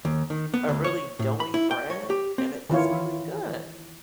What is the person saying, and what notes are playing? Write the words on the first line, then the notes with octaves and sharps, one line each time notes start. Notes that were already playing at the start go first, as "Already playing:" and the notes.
a really doughy bread, and it it's really good.
D#2
D#3
B3
D2
C#5
A2
B5
E4
G5
C#5
G4
C4
D#3 E3 F4 C#5